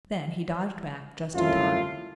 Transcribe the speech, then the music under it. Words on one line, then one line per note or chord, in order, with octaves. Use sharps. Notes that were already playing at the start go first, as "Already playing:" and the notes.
Then he dodged back just in time.
C2 F#2 A3 E4 F4